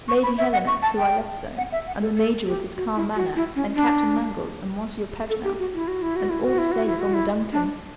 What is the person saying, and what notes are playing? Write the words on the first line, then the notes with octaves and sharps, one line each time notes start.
Lady Helena, whom I love so, and the Major, with his calm manner, and Captain Mangles, and Monsieur Paganel, and all the sailors on the DUNCAN.
C#6
B5
E5
F#5
C#6
A5
G5
F#5
E5
F#5
A4
A4
G4
F#4
E4
F#4
E4
C#4
D4
A4
G4
F#4
E4
F#4
E4
F#4
E4
F#4
E4
F#4
E4
F#4
E4
D4